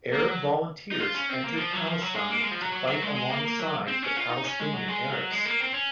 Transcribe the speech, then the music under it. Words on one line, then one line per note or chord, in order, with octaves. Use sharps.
Arab volunteers entered Palestine to fight alongside the Palestinian Arabs.
A#3
F#3
D#4
F4
C#4
C4
A#3
F3
F#3
F3
F#3
G#3
A#3
G#3
F3
F#3
F#3
F#3
G#3
G#3
A#3
A#3
F#3
C4
C#4
F4
D#4
C#4
G#3
F#3
G#3
F#3
G#3
A#3
C4
C#4